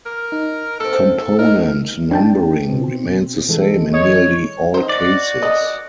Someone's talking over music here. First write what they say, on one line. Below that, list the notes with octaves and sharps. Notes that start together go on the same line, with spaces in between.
Component numbering remains the same in nearly all cases.
A#4
D#4
A#3 C4 A4
A4
D#4 A#4
D4 G5 A5
B2 C4
E3 G#3 A4
C#5 D#5
D#4 C5
F#4 D5
D#5